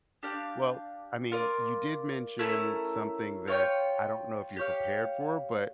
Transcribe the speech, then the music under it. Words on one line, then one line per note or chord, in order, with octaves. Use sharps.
Well, I mean, you did mention something that I don't know if you're prepared for, but
D4 G4 D5 F5
F4 A#4 D5
A3 C#4 E4 A#4
F4 C#5 G5
G4 C#5 F5